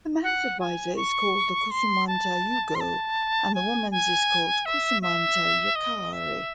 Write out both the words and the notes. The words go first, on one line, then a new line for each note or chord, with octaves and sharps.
The man's advisor is called the "khoussoumanta-yougo" and the woman's is called "khoussoumanta-yakhare".
F#5
G#5
C#6
C6
A5
C6
A5
G#5
G#5
E5
E5
D#5
E5